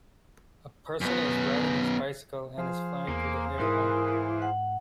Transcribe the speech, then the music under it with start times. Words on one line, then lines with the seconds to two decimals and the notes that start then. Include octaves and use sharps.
A person is riding his bicycle and is flying through the air on it.
1.01 F#2 B3
2.58 F3 G#4 C5 F5
3.08 E2 A#3
3.60 G#2 E3 A#4 C6 D#6
4.42 F#5